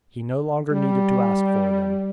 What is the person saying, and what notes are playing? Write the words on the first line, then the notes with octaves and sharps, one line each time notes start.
He no longer needed to ask for them.
G3